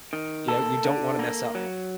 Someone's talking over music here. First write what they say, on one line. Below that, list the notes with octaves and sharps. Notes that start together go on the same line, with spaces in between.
You know, you don't wanna mess up,
D#3
A#3 A4
D3
A#3
F#3